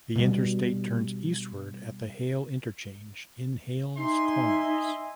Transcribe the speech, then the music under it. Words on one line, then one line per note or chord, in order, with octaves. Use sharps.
The Interstate turns eastward at the Hale Interchange in Hales Corners.
B2 G3
D#4 D#5 E5 G#5 C6